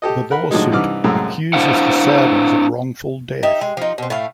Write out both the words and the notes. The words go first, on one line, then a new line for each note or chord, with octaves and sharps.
The lawsuit accuses the Saudis of wrongful death.
G4 A4 D#5
A#4 F#5 B5
A2 D3 F3 F#3 G#3 D#4
C2 G2 E3 D#4 D6 F6
C2 F#2 A2 G#3 A#5 E6
D4 E4 C5 F5 F#5
D#4 G4 E5
G#3
F3 D#4
B2 C4
A2 A3 F5